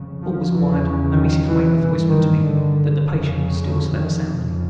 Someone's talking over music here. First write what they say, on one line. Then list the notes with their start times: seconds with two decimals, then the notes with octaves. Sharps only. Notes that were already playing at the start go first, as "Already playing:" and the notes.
All was quiet, and Mrs. Weymouth whispered to me that the patient still slept soundly.
Already playing: F2 C#3
0.22 F3
0.53 E2 C#3 E3
1.15 D#3
1.47 E3
1.77 G2 E3
2.08 D#3
2.40 D3
3.03 F2 C#3
3.66 D3
3.97 D#3
4.27 F2 C#3 F3